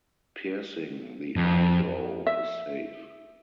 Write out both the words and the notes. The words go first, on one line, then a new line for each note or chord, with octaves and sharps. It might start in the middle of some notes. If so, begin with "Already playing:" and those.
Piercing the eyebrow is safe.
F2
E5